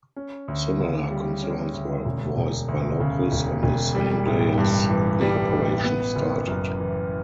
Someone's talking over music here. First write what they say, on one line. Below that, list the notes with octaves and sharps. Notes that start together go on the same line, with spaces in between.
Similar concerns were voiced by locals on the same day as the operation started.
C#4
D2
C#3
G3
C#4
D2
E1
E1
D2
C#3
E1
E1
G3
A1
G2
E3
G3
A1
B3
F#1
F#2
E3